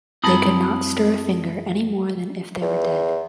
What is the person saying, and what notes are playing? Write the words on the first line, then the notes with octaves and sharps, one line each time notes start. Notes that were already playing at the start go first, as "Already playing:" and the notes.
They could not stir a finger any more than if they were dead.
F#2 G3 C4 E4 A5 B5 D#6 A6
E2